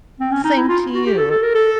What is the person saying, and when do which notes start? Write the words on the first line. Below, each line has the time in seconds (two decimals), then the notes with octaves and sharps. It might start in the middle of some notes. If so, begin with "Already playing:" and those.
Same to you.
0.20 C4
0.31 C#4
0.44 D#4
0.57 E4
0.68 F4
0.94 F#4
1.06 G4
1.18 A4
1.31 A4
1.42 A#4
1.55 A4